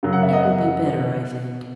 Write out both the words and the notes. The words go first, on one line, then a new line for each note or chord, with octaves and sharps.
"It will be better, I think."
F#2 C#3 F#3
F#5
E5
D#5
F#5